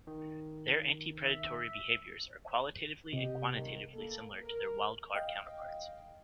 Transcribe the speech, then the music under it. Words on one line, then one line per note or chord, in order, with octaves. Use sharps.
Their anti-predatory behaviors are qualitatively and quantitatively similar to their wild-caught counterparts.
D#3
E5
C3 G4 D#5
G1 D#3 F3
A#3 A4
A#4
D#5 F5 G5